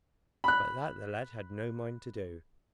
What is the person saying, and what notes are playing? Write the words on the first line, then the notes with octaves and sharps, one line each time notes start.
But that the lad had no mind to do.
B5 F#6